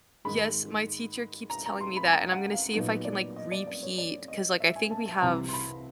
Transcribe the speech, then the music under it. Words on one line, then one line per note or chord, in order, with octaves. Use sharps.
Yes, my teacher keeps telling me that, and I'm gonna see if I can, like, repeat 'cause, like, I think we have
G#2 D#3 G#3 B5
A#5
A#5
C6
B5
A#5
F#5
F5
A#2 F#3 B3 D#4
D5
D#5
D5
D5
C#5
D5
D#5
E5
G#5
A5
A5
C2 C3 E3 G3 C4 A#5
C6
B5